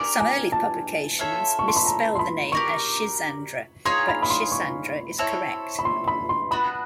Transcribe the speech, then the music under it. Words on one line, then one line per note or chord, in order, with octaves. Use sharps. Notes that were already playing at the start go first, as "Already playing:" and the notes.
Some early publications misspell the name as "Schizandra," but "Schisandra" is correct.
Already playing: D4 G4 A#4 D5 G#5
G#5
A5
F4 A4 C#5 E5
C#6
C6
B5
A#5
C6
B5
G4 A#4 D5 C#6
D#4 G#4 C#5 F5 C6
B5
B5
C6
C#6
C4 E4 A4 C#5
B5
C6
B5
C6
B3 D4 F#4 B4 B5